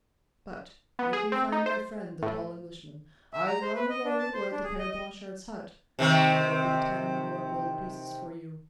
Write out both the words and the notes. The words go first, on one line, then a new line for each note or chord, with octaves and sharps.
But if we find my friend the tall Englishman, either on the road or at the Pere Blanchard's hut, there will be ten more gold pieces for you.
B3
G#4
C4
D#4
C5
A2
E5
A#5
C5
B4
D#5
D4
A5
C5
D4
G#4
D#5
D#5
C3 D#3 C4